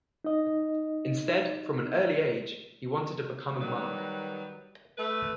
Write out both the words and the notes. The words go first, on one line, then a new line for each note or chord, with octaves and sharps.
Instead, from an early age, he wanted to become a monk.
D#4 D#5
D#3 F#3 G3 B4
A3 B4